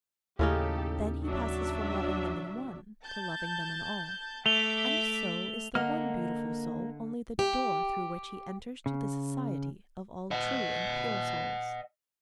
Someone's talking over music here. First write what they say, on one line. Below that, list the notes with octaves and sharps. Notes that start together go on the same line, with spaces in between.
Then he passes from loving them in one to loving them in all, and so is the one beautiful soul only the door through which he enters to the society of all true and pure souls.
D#2 A2 C#3 D#4 G4 A4
F#3 D4 E5
A5 G6
A3 E5 D6 F7 G7
D3 A#3 D#5 F#5 F6
G4
C#3
D#5 F#5